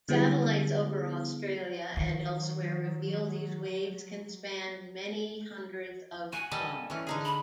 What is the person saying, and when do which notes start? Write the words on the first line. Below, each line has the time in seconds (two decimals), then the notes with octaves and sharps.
Satellites over Australia and elsewhere reveal these waves can span many hundreds of kilometers.
0.09 D3 F#3 G3 B3 E4 G#4
1.97 D#3 F#3
6.33 F#4 G#5
6.51 G3 A4 D#5
6.90 E3 C#4
7.07 D3 D#4 G#4
7.25 B5